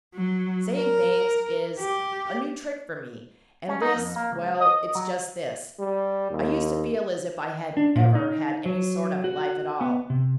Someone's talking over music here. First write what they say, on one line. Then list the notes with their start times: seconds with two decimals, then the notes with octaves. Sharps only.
Saying things is a new trick for me, and this--well, it's just this: I used to feel as if I hadn't ever had any sort of a life at all.
0.15 F#3
0.76 A#4
1.79 G4
3.68 C#4
3.82 D#4
3.96 F2
4.16 A#3
4.32 C#2
4.60 D#5
4.95 F#3
5.79 G3
6.31 D#2
7.77 D4
7.96 A#2
8.15 D#4
8.66 F#3
9.24 F#4
9.81 B3
10.10 C3